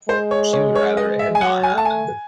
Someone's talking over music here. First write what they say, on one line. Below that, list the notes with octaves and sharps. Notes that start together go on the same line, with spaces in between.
She would rather it had not happened.
G#3 C5
C#5
C#5
C#5
D#5
E5
G#5
F#3 F#5
G#5
A3 A5
G#5